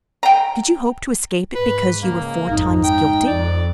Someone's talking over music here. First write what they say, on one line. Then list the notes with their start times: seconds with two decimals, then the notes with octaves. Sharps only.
Did you hope to escape it because you were four times guilty?
0.23 G5 A#5
1.55 G#2 B4
2.03 C#2 A#3
2.49 G#1 F2 D#4
2.84 G#2 G5
3.27 F2 D5